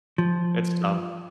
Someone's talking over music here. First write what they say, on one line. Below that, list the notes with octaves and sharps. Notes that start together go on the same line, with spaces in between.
It's tough.
F3